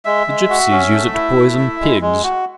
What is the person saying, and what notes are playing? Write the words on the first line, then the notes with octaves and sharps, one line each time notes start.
"The gipsies use it to poison pigs."
G#3 E5
G#3
F#4
C#4
A3
E4
A3
E4
G#3
G#3
F#4